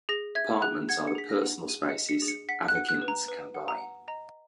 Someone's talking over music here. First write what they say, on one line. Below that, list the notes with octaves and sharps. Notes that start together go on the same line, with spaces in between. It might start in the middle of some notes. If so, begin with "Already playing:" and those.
Apartments are the personal spaces Avakins can buy.
G#4 A#6
E5 G#6
G#4 F#6
F#5 G#6
C#7
G#4 B6
A#6
F#5
G#4 D#7
C#7
D#5
C#7
G#4
C#7
F#5 B6
F#6
F#5
F#6
B4
A#5
B4
F#5
A#5
F#5
D#5 A#5